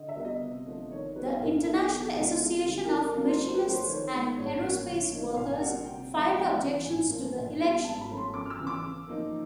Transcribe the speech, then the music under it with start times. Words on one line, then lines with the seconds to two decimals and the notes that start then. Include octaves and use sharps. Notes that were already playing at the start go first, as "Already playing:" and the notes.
The International Association of Machinists and Aerospace Workers filed objections to the election.
Already playing: D3 D#5
0.09 E5
0.16 G3 B3
0.25 D#5
0.42 C3
0.66 F3 A3 D4
0.90 D#3 C#5
1.16 G3 B3 B4
1.40 A#2 A#4
1.65 F#3 B3 D#4 A4
1.90 E2
2.14 B2 G#3 C4 D#4
2.40 F2
2.64 D3 G3
2.84 A#4
2.88 C#3 A4
3.01 A#4
3.14 F#3 A#3 D4
3.26 C5
3.38 C#3 C5
3.54 B4
3.63 F3 A3 C#4
3.71 C5
3.88 D#3 C#5
4.13 G#3 B3
4.37 A2 C#5
4.62 F3 A#3 C#4
4.87 D3
5.12 F3 A#3 D#4
5.37 A#2 F5
5.54 G5
5.62 G3 A#3 F#5
5.86 C3 G5
6.11 F3 G#3 C#4
6.36 E2
6.61 C#3 E3
6.85 A2 G#5
7.10 F3 A#3 D4
7.35 A#2
7.59 G3 B3 D4
7.84 G#2 A5
8.01 B5
8.09 F3 A3 C#4
8.17 C6
8.33 F#2 D6
8.46 F6
8.50 E6
8.59 C#3 E3
8.67 D6
8.83 C#3
9.08 F3 A#3 D#4